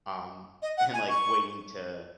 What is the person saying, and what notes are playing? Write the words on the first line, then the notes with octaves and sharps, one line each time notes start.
um, and like, waiting to
D#5
F#5
G#5
C#6